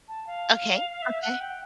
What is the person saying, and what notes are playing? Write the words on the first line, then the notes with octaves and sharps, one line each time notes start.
Okay. Okay.
A5
F5
E5
F#5
G5